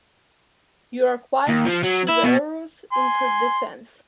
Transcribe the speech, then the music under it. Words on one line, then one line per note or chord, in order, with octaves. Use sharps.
You are quite chivalrous in her defence.
D#2
F3
F#3
E4
B2
G#5 C6